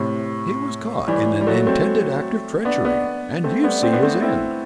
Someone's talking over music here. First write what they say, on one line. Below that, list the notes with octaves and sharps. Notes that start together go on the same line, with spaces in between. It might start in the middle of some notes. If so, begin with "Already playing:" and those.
He was caught in an intended act of treachery, and you see his end.
Already playing: A2 C3
E3 G3
G3
F#3 A3
A3 C4
B3 D4
B3 D4
A3 C4
G3 B3
D4
A3 C4
B3 D4
A3 C4
C4 E4